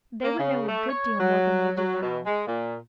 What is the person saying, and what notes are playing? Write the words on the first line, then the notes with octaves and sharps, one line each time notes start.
They would know a good deal more than they do now.
A#3
C#3
A3
C#5
F#3
F#3
B2
G#3
A#2